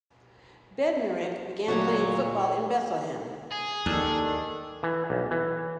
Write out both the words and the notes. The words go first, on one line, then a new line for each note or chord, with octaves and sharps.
Bednarik began playing football in Bethlehem.
D2 A#2 F#3 F#4 C#5
G#4
D#2 D#3 D4 A4
E3
B1
E3